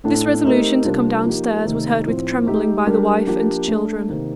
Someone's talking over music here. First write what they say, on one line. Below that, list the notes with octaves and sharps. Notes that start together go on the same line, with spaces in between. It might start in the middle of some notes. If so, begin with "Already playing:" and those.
This resolution to come downstairs was heard with trembling by the wife and children.
A2 A3 D4 A4
A3 C4 D#4 G4 A#4
C3 G3 D4 F4 A#4
F3 A#3 D#4 G4
C3 D#3 A3 D#4
A2 F3 C4
A3 D#4 G4
G3 D4 G4 A#4
F3 A#3 D4 G4 A#4
A3 D4 A4
C3 D#3 A#3 D#4